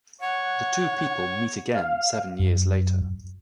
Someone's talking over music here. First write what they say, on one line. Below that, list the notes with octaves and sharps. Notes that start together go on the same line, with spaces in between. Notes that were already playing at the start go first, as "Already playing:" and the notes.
The two people meet again seven years later.
C#5 F#5
F5
F#2